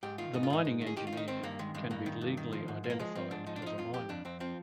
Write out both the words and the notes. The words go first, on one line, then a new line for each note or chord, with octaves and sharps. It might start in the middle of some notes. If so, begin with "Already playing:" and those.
The mining engineer can be legally identified as a miner.
G#2 G4
D#3 F4
G#2 D#4
F4
G#2 D#4
G#2
D#3
G#4
D#3 G4
F4
D#3 D#4
D#3 C4
G2 A#3
D#3 G#3
G2 G#3
G2 A#3
D#3
G2
D#3
F3
G#2
F3
A#3
F3 G#3
F3 C4
G#2 D4
F3 D#4
D4
F3 D#4
F2 F4
F2 G4
F2 D4
F2 C4
F3 C4